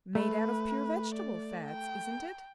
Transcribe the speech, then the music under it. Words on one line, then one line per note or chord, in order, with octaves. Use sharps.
"Made out of pure vegetable fats, isn't it?"
A3 B4
D5
G5